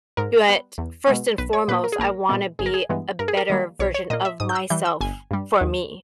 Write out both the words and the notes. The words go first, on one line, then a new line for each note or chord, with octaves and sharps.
But first and foremost, I wanna be a better version of myself, for me,
G#2 A#4
G3 B3
E2
B2 G#3 B3
B1 B4
C#5
A#2 A#3 B4
A#4
G#4
A#1 A#4
A#2 G#3 B3
G1 G#4
A#4
G#4
G2 E3 G#3 B3
G2 A#4
G#4
A#4
D#3 G3 A#3
B1 C#5
C#5
A#2 A#3 D#5
E5
G#2 D#6
G6
E6
E3 G3 G6
E6
G1 G#5
G2 G3
D#2